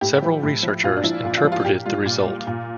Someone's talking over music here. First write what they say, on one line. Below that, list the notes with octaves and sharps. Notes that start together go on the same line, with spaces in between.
Several researchers interpreted the result.
A2 G4
F3
A2
F3
A#2 F4
D4
F3 E4
A#2 F4
F4
F3
F4
A#2 G4
G3 F4
A#2
G3
A#2